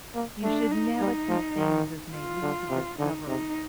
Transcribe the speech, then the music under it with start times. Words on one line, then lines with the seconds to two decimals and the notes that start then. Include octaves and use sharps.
You should never keep things as may lead to discovery.
0.15 A#3
0.42 A3 D4
0.71 D#4
1.00 G3 D#4
1.29 F3
1.57 D#3
2.14 F4
2.42 D3
2.70 C3
2.98 D3 D#4
3.27 C3 D#4